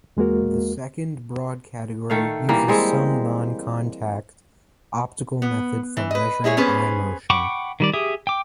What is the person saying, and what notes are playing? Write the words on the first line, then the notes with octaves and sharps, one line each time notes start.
The second broad category uses some non-contact, optical method for measuring eye motion.
E2 G#3 A#3 F#4 A#4
D#3 A3 F5
G2 E3 G3 A#3
G3 G#3 C4
B3
E3
B4 D#5
G#3 E4 G#4 C#5
B3 C#4 G#4 B4 C5
F#5 G5 B5 C#6 D6
D#3 G3 D5
G4 G#4 E5 D#6
G5 D6